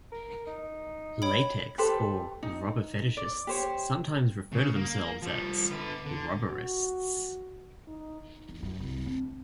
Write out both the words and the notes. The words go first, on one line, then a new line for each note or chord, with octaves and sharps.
Latex or rubber fetishists sometimes refer to themselves as "rubberists".
A#4
D#4
C#5 G5 B5
G4 A4 B4 C5
D#4
D5
G4 C5 C#5
C#3
A#3
F3 G3
D3 B4
D3
F#4
D#4
E2
F#2
C2
C4 D4